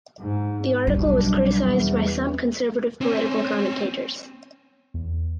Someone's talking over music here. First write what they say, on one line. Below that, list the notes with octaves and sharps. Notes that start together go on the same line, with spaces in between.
The article was criticized by some conservative political commentators.
G#2
B1 G3 D4
E2
C4 C#4
E2